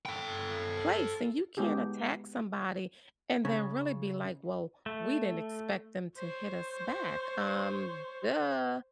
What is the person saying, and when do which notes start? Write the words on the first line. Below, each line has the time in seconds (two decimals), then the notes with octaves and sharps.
place, and you can't attack somebody, and then really be like, "Well, we didn't expect them to hit us back," um, "Duh".
0.06 A4 G5
1.57 G#3 B3 D#4 G4 G#4
3.45 C#3
4.86 A3
6.17 C5 C#5